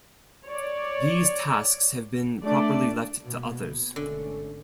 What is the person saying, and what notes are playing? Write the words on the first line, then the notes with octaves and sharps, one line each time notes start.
These tasks have been properly left to others.
C#5 D5
A3 D4 D5
B2 A#3 B3
G#1 D3 A3 C#4